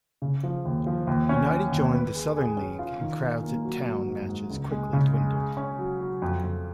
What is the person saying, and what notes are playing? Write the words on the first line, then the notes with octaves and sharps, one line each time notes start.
United joined the Southern League and crowds at Town matches quickly dwindled.
C#3
F3
D#2
F3
D#2
C#4
C#4
D#2
B4
G#4
G#4
C#4
F4
D#3
F4
A#3
F#3
F#3
G#2
G#2
C#2
G#3
C#3
G#3
G#4
C#4
F#3
F#3
F2
F2